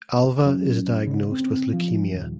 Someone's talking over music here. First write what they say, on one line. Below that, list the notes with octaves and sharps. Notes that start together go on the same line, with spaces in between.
Alva is diagnosed with leukemia.
F#2
C#3
C4
F3
D#1